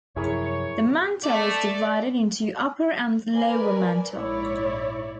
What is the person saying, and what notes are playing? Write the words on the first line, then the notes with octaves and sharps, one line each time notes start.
The mantle is divided into upper and lower mantle.
F#2 C3 F3 E4 G#4 A#4 C#5
A3 D5
A#4 B4 D5 G#5
A#1 G#2 E4 C#5 D5